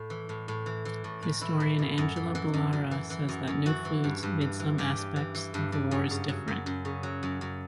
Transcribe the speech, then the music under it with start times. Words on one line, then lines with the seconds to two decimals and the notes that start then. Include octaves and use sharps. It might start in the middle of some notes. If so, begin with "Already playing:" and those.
Historian Angela Ballara says that new foods made some aspects of the wars different.
Already playing: A2
0.10 E3
0.29 A2
0.48 A2
0.66 E3
0.85 E3
1.04 A2
1.23 A2
1.41 E3 E4
1.60 E3
1.79 F#2
1.98 F#2
2.16 E3
2.35 E3
2.54 F#2
2.73 F#2
2.91 E3
3.10 E3
3.29 F#2
3.47 F#2
3.66 E3 F#4
3.85 E3
4.04 G2
4.23 G2
4.41 E3
4.60 E3
4.78 G2 G4
4.97 G2
5.16 E3
5.35 E3
5.54 G2
5.72 G2
5.91 F#2
6.11 C#3
6.29 F#3
6.48 F#2
6.66 F#2
6.85 C#3
7.03 F#3
7.23 F#2
7.41 F#2